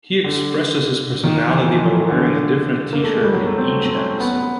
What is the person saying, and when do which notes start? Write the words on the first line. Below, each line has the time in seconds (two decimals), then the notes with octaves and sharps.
He expresses his personality by wearing a different T-shirt in each episode.
0.24 D3
1.24 D#3
1.47 E3
1.73 F3
1.85 F#3
1.97 F#3
2.10 D3
2.93 A#3
3.04 A3
3.13 G#3
3.23 G3
3.33 F#3
3.46 A3
3.58 C4
3.83 C4
3.94 C#4
4.20 B3